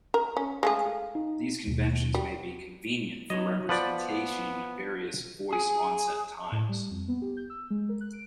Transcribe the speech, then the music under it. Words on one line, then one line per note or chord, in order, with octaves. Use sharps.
These conventions may be convenient for representing various voice onset times.
A#4
C#4
G#3 A3 G#4 F5
D#4
D#2 B2
G3 F#4
F#3 B3 D#4 C#5 D#5
F3 B3 B4 D5 F#5
G#4
A2
G3
F2
B3
G4
G6
E6
G#3
A#4
F#6
D7